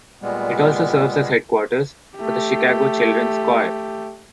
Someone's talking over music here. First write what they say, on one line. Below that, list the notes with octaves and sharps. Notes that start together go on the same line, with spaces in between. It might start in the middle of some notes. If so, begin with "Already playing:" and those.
It also serves as headquarters for the Chicago Children's Choir.
A#2 G3 G#3 B3
A3 G4